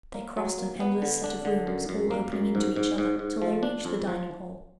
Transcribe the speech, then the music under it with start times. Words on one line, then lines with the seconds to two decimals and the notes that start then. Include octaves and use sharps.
They crossed an endless set of rooms, all opening into each other, till they reached the dining-hall.
0.14 A#3
0.37 F#3
0.58 A#3
0.80 B3
1.02 D3
1.24 D4
1.45 D3
1.67 F#2
1.89 F#2
2.11 A#3
2.32 F#2
2.55 G#2
2.76 G#2
2.98 G#2
3.19 G#2
3.42 F3
3.63 D4
3.85 F2
4.07 F3